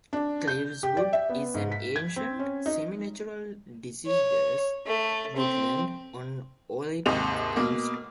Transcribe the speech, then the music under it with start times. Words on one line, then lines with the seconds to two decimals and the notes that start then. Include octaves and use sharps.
Cleaves Wood is an ancient, semi-natural deciduous woodland on oolitic limestone.
0.13 D4
0.48 G6
0.83 G4
0.97 D5
1.13 E5
1.29 B3
1.54 G#2
1.72 B6
1.96 G#6
2.16 C4
2.39 C#4
2.66 D#4
4.06 C#5
4.87 A3
5.36 C4
7.06 D#2 G#2 C3 D#5 F7
7.57 B2 A#3